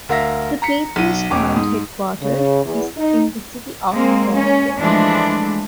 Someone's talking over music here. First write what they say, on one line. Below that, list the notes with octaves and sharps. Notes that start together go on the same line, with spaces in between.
The paper's current headquarters is in the city of Gulfport.
D2 A#4 E5 F5 A#6
A#5 B6 C#7
B1 D#7
E1 B2 C#4 G5 D6
G#2 D#6
C#3
E2
D#4
G#3 A#3 C4
C#4
E3 F3 G#3 A3 D4